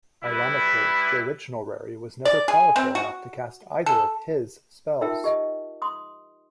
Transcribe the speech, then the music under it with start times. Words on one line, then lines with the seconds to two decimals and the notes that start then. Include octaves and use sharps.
Ironically, the original Rary was never powerful enough to cast either of "his" spells.
0.24 G3 E4 B4
2.25 D5
2.48 G#4
2.76 C4
2.95 F#4
3.86 A4
5.01 D#4 F4 A#4 E5 G5 A5
5.24 G4 D#5
5.82 C6 D#6